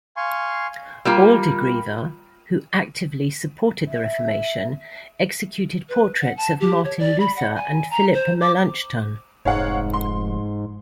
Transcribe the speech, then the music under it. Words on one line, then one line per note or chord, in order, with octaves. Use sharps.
Aldegrever, who actively supported the Reformation, executed portraits of Martin Luther and Philip Melanchton.
F5 G#5 C6 C#6
G3 A#3 F4
E5
B4
F#5
A5
G4
C#5
D5
B5
F#5
G#5
A#5
C5
D6
F1 G#2 C#5 F5 F#5
C6